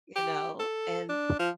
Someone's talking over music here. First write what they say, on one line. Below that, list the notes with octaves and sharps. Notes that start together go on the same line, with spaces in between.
you know, and
G4
A4
D4
F3